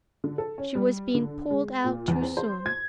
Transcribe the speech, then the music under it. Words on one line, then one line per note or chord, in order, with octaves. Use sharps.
She was being pulled out too soon.
D3
A4
C#4
G3
D3
G#3
A#2
E2
C4
C5
G#6